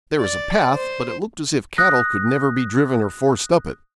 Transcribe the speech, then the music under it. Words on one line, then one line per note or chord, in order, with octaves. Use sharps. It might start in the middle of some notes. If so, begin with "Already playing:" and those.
There was a path, but it looked as if cattle could never be driven or forced up it.
D5
C5
D#6 F#6 A#6